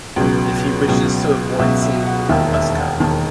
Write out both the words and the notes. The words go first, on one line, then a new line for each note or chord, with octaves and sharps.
If he wishes to avoid seeing me, he must go.
C#2 B2 F#3
C#2 B2 F#3
C#2 B2 F#3 E5
E5
F#5
E1 D#2 D#3 E5
E5
F#5
E1 D#2 D#3 A5